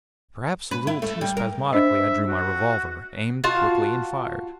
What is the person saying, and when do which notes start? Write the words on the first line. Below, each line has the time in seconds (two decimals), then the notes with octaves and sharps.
Perhaps a little too spasmodically I drew my revolver, aimed quickly and fired.
0.71 B4
0.87 E4
1.02 A3
1.21 G3
1.37 A#4
1.73 D4 C5 D#5 E5
2.27 F#4
3.44 F4 F#4 F5 A5